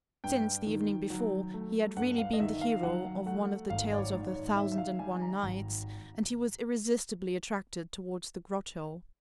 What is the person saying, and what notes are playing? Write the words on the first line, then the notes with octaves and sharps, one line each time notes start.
Since, the evening before, he had really been the hero of one of the tales of the "Thousand and One Nights," and he was irresistibly attracted towards the grotto.
G2 G5
D#3
F#3
A3
G2 F#5
F5
D#5
D#3 E5
F5
F#3 F#5
A3 F#5
G#1 F5
D5
C#5
G#2
C#5
D#3 E5
E5
F5
G3 G#5
A#5
G#1